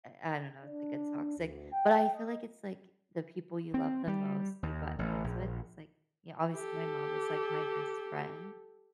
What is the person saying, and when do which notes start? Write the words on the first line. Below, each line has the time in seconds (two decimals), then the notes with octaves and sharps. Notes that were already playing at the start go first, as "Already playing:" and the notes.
I I don't know, it's, like, a toxic but I feel like it's, like, the people you love the most you butt heads with, it's, like yeah, obviously, my mom is, like, my best friend,
0.65 D4
1.38 D2
1.73 G5
2.14 D#5
3.74 C4
4.08 G3
4.63 D#2
4.99 A1
5.24 A#1
6.54 G4 A4